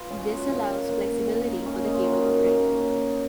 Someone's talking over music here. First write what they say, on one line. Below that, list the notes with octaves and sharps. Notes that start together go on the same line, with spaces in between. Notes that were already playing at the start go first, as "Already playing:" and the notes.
This allows flexibility for the cable operator.
Already playing: F4 B4 F5
G#3 C#4 D#4
F#4
F4
D#3 F4
A#3 C#4
D#3 G#4
A#3 C#4
D#4
F4
D#3 F#4
A#3 C#4